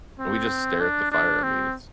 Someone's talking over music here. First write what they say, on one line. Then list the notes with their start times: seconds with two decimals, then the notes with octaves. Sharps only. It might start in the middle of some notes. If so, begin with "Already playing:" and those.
and we just stare at the fire, I mean, it's
0.19 C4
0.81 D4
1.11 D4
1.43 C4